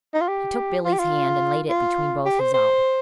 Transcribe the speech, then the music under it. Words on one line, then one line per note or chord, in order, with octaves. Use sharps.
He took Billie's hand and laid it between both his own.
D#4
F4
G4
F4
G4
F4
F4
G4
C5
C5